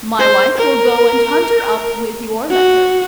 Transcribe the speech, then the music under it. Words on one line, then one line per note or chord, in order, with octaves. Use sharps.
My wife will go and hunt her up with your letter.
C5
A#4
F#4